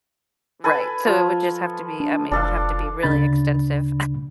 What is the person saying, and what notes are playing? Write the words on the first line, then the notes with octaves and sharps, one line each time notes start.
Right, so it would just have to be I mean, it would have to be really extensive.
A4 B4 G#5
F3
D4
F1 D4 A4 F5
D2 C#3 D4 B5 A6